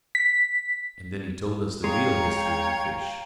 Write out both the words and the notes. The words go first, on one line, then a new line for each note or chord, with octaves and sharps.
And then he told us the real history of the fish.
B6
G#3 C#5 F5 G5 A#5